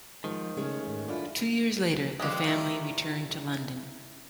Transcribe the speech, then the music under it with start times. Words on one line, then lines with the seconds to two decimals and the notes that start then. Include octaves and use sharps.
Two years later the family returned to London.
0.24 D#3 F3 G#3
0.57 C#3 G#3 A3 C#4
0.87 G#2
1.08 F#2 D4 E4 F4
2.20 G2 D3 F3 G#3 C4 G4
2.47 D#3 G3 A3 E4